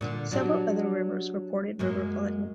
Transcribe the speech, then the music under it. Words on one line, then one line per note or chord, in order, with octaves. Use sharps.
Several other rivers reported river flooding.
A#2 D3
F#3 D4 G4
F#2 G#3 A#3